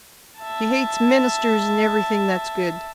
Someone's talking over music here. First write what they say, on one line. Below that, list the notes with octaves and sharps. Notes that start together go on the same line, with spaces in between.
She hates ministers and everything that's good.
E5 A5